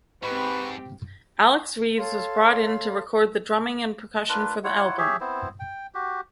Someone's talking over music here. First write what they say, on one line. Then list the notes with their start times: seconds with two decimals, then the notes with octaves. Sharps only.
Alex Reeves was brought in to record the drumming and percussion for the album.
0.23 G#2 C4 G4 B4 B5 C#6
1.98 A4 C#5 F5 C6
4.29 D4 F4 A#4 B4
4.64 E4 F4 C#5 F#5
4.98 G4 G#4 C#5 E5
5.21 B3 C4 E4 C5
5.60 G5
5.95 F#4 G4